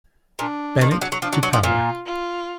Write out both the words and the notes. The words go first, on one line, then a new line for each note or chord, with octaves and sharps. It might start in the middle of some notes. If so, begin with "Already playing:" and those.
Bennett to power.
A#2 D4
D#3
F3
F#3
F#3
F3 D4
F#3
F#3
F3
A#2 F4
F4